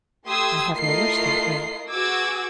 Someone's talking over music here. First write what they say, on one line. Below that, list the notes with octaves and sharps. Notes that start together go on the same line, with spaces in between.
I have no wish that way.
A3 G4 C6 D#6 E6 G#6
A3 E4 F4 A#4 D#5 C7
F#4 G#4 B4 D6 E6 G#6